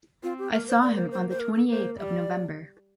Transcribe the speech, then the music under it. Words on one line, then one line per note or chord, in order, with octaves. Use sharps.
I saw him on the twenty eighth of November.
C4 F4
G4
A#3 A#4
C5
A#3 D5
C5
C5
C5
A#4
A4
A#3 C5
G3 D5 E5